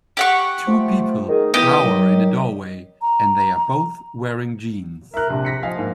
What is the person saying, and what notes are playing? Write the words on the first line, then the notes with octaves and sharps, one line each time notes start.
Two people cower in a doorway and they are both wearing jeans.
G4 F#5 C#6
F3 A3
D#3 G#4
E3 B3 G4 D#5
D#3 F#3
A#5
A#4 E5 F#6
A#1 C3
A#6 B6 C#7
F3 D#5 F5 G#5
G#2 A#3